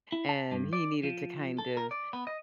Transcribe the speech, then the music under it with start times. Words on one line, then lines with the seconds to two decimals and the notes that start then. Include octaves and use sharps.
and he needed to kind of
0.12 E4
0.29 A5
0.52 G2
0.73 D5
1.03 F3
1.58 A4
1.77 A#4
1.91 D5
2.13 B3
2.27 D#5